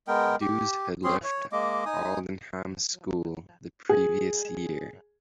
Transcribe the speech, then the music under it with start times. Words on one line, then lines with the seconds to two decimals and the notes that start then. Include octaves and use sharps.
Dewes had left Aldenham School the previous year.
0.08 G#3 B3 A#4 G5
0.41 G4
1.04 C4 C#4 G#4 C6
1.24 C#5
1.52 G#3 A#3 D#5 D6
1.86 D#4 G#5 D#6
3.89 G#4